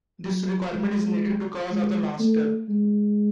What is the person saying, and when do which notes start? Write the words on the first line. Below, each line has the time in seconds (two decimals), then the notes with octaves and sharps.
This requirement is needed because of the last step.
0.24 F#3
0.73 G#3
1.71 G#3
2.20 A3
2.69 G#3